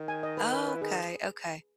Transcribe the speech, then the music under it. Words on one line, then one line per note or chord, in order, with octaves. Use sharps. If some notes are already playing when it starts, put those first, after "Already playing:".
Okay. Okay.
Already playing: D#3
G#5
D#5
B4
B4
B4
E3
D#3 G#4